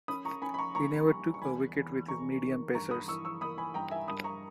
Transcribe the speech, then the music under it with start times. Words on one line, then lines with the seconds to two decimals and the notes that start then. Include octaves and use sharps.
He never took a wicket with his medium pacers.
0.08 C#4 B5 D#6
0.25 A#5 C#6
0.42 C#4 G#5 B5
0.54 B5
0.59 A#5 C#6
0.75 A#1 A#5 C#6
1.08 G3
1.34 C#6
1.42 E2 G#5 B5
1.75 E2
2.08 E2 A#5 C#6
2.42 D#3
2.75 G2 A#5 C#6
2.91 B5 D#6
3.08 E3 C#6 E6
3.25 C#6 E6
3.41 A#3 B5 D#6
3.58 G#5 B5
3.74 G2 G5 A#5
3.91 E5 G#5
4.08 G2 B5 D#6
4.24 A#5 C#6